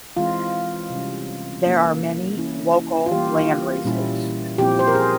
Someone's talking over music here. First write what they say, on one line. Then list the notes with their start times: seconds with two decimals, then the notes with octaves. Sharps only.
There are many local landraces.
0.17 E3 G#3 C4 F4
0.90 C3 G3 C#4
1.64 E3 A#3 C#4 E4
2.37 E3 A#3 C#4 E4
3.06 F4
3.11 E3 G3 A#3 G4
3.85 A#2 G3 C#4 E4
4.58 A#2 F3 C4 E4 G4
4.79 C5
4.88 A#4
4.95 G#4